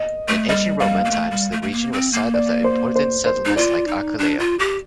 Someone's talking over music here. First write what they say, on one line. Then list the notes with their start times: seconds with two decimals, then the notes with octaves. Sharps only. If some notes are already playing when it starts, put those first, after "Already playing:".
In Ancient Roman times the region was the site of important settlements like Aquileia.
Already playing: D#5
0.28 A3
0.49 G3 D#5
0.80 G3 F5
0.98 F5
1.05 A#3
1.11 A3
1.31 G3
1.52 A3
1.62 A3
1.72 A#3
1.93 C4
2.13 A#3
2.34 D5
2.64 C5
2.96 C5
3.26 C5
3.45 D#4
3.56 F4 D5
3.88 D#4
4.18 D4
4.39 F4
4.59 G4